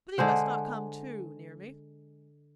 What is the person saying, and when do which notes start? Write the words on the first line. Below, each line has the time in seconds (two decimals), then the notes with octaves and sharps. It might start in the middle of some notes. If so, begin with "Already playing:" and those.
But he must not come too near me!'
0.18 D3 G#3 C5 F#5